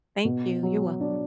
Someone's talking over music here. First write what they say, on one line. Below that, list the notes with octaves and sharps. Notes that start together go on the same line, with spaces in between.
Thank you. You're welcome.
B2
F#3
D4